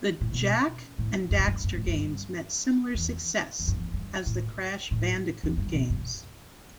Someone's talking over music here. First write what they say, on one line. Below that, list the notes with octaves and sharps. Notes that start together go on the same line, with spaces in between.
The "Jak and Daxter" games met similar success as the "Crash Bandicoot" games.
A2
B2
A2
G2
A2
G2
G2
A2
G2
E2
E2
G2
E2
G2
A2
A2
E2
G2
B2
G2